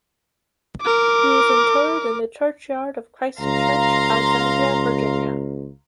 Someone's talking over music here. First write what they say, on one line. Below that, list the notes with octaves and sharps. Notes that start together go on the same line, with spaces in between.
He was interred in the churchyard of Christ Church, Alexandria, Virginia.
A#4 D6
C#2 F5 A#5 C6